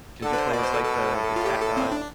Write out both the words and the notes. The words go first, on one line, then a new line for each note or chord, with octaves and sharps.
'cause you play as, like, the the cat god.
D3 A4
B4
C5
B2 D5
C5
A4
A4
A2
F4
G4
A4
C4
D4